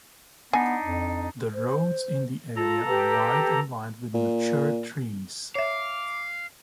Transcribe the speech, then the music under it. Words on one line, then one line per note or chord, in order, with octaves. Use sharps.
The roads in the area are wide and lined with mature trees.
B3 D4 D#4 G#5
F2
C5
F4 A4 A#5
G4 B4
A#2
C#5 E5 F5 D6